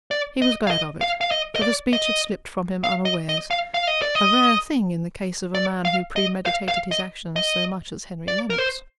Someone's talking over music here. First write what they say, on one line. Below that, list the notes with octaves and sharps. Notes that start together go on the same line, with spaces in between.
He was glad of it, for the speech had slipped from him unawares--a rare thing in the case of a man who premeditated his actions so much as Henry Lennox.
D5
D#5
F5
D#5
F5
F5
D#5
D#5
D5
D#5
F5
D#5
D#5
F5
F5
D#5
D5
D#5
D5
F5
D#5
F5
F5
D#5
D#5
D5
A#4
C5